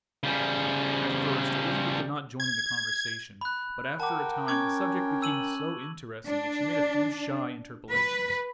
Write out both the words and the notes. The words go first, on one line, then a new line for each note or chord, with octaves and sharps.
At first Elizabeth did not join in the conversation, but after a time the subject became so interesting that she made a few shy interpolations.
C#3 G3
G#6
B5 F#6
A#4 F#5 G5 A5 D6
C#4 C#6 D6 G#6
E6 D#7 F#7
D4
B4